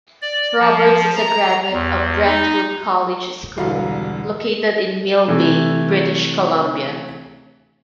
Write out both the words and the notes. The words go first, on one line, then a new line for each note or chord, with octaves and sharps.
Roberts is a graduate of Brentwood College School, located in Mill Bay, British Columbia.
D5
F3
A#5
E2
D#4
E1 C2 B2 D3 F5
C3 E3 A3